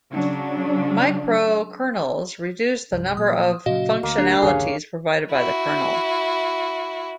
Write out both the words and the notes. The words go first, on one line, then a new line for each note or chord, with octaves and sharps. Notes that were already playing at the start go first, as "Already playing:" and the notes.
Microkernels reduce the number of functionalities provided by the kernel.
C#3 F#3 D4
C2 G2
A#2 F#3 D#6
A#2 C#3 F#3 F#4 D#5 F5
D2 A#3
D4 G4
G1 D#2 C#3 G#4 C#5 F5
E4 F#4